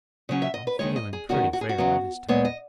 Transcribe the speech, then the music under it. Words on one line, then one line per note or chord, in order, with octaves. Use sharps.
"I'm feeling pretty fair by this time."
C#3 F#3 C#4
E5
D#5
B4
D#2 D#3 G#3 C#5
D#5
G#4
E2 D#3 G#3 C#4 F#4
F#4
G#4
F#4
E2 C#3 F#3 B3
A#2 G#3 B3 C#5
D#5